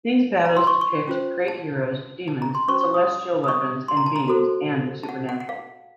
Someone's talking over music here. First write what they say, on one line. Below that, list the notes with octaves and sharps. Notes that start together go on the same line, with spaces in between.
These battles depict great heroes, demons, celestial weapons and beings, and the supernatural.
A#5
C6
C#6
C#6
C#4 F4 C5
A5
A5
A#5
C6
C#4 F#4 C5 C#6
C#6
D#6
D#6
C#6
C6
A#5
A5
A#5
F#4 A4 C5
A5
F#5
F#5
F#5
F5